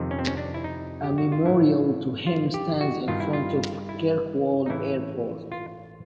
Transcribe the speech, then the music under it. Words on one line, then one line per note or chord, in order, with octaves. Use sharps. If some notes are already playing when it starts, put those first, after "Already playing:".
A memorial to him stands in front of Kirkwall Airport.
Already playing: F2 C3 D#3
C#4
C4
C#4
D4
E4
D#4
G4
F#4
F4
A2 E3 E4
F4
G4
F#4
G2 D#3 F4
E4
F4
E4
D#4
A2 E3 E4
F4